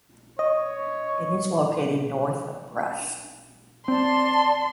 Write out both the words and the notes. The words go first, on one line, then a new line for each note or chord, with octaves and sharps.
It is located north of Brest.
C#5 D#5
C4 D5 A5 C6